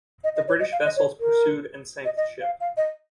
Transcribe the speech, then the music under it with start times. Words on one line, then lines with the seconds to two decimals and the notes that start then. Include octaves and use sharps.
The British vessels pursued and sank the ship.
0.24 D#5
0.36 D#5
0.48 C#5
0.60 D#5
0.72 F5
0.85 D#5
0.97 C#5
1.20 A#4
2.05 D#5
2.17 D#5
2.41 F5
2.60 F5
2.77 D#5